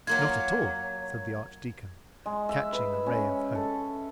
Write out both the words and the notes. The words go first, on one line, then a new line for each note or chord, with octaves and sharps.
"Not at all," said the archdeacon, catching a ray of hope.
F#3 A#3 F4 G#6
G#3
E5
B4
C#4
A4